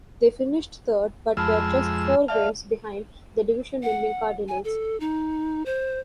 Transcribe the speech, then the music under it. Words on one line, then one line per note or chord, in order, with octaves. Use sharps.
They finished third, but were just four games behind the division-winning Cardinals.
F2 G#3 A5 B5 E6 F6
D5 E5 F5 A5
F#5
G#5
A4
D#4
C5